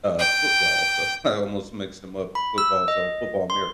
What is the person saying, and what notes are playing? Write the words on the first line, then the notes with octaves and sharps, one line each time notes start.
uh, football. So I almost mixed 'em up football so football Amer
G5
B5
E6
D#5
C6